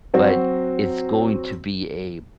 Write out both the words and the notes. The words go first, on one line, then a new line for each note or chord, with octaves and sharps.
But, it's going to be a
F#3 C4 F#4